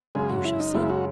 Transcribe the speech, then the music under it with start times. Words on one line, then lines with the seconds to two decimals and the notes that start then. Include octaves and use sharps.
"You shall see."
0.15 F#2 C#3 G#3 G#4
0.30 F#4
0.45 E4
0.60 D#4
0.75 F#2 C#3 G#3 E4
0.90 F#4